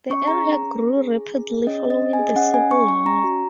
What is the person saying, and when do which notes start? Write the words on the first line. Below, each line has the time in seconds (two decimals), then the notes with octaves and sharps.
The area grew rapidly following the Civil War.
0.10 C#4 C#6
0.27 G#4 A#5
0.45 C#4
0.63 C#4
0.80 C#4
0.97 G#4
1.15 G#4
1.32 C#4
1.50 G#4
1.67 C#4 D#5
1.84 C#4
1.90 D#5
2.02 C#4
2.13 G#5
2.19 G#4
2.27 D#5
2.36 C#4 F#5
2.54 C#4 G#5
2.71 C#4 C#6
2.88 C#4 C#6
3.06 C#4 A#5
3.24 F#4